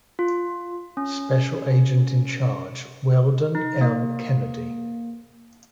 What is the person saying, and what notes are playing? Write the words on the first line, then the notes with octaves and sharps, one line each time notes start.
Special Agent in Charge Weldon L. Kennedy.
F4
C#4
D#4
A#3